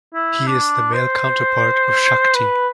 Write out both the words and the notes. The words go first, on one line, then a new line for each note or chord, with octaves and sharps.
He is the male counterpart of Shakti.
E4
D4
C5
B4